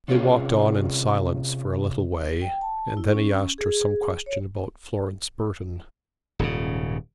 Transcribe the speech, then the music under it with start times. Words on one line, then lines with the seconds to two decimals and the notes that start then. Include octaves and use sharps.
They walked on in silence for a little way, and then he asked her some question about Florence Burton.
0.08 C3 C#4 F4 G#4
2.42 G5
2.61 A5
2.97 E4
3.12 C#4
3.58 G#4
4.26 C#5
6.39 D#1 G#2 C#3